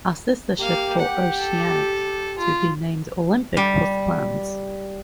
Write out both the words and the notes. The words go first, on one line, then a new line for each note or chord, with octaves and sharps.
A sister ship for "Oceanic" to be named "Olympic" was planned.
A#3 G4 F5
F#5
A4
F4
G3